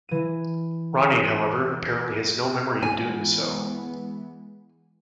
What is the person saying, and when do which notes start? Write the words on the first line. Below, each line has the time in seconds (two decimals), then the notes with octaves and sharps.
Ronnie, however, apparently has no memory of doing so.
0.09 E3 D#7
2.83 E3 G#3 B3 G#5